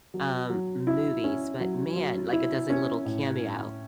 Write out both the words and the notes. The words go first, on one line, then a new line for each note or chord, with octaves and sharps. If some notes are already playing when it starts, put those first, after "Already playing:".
um, movies, but man, like it does a little cameo,
F#3
F#3
E4
C#4
F#3
F#3
E4
C#4
A2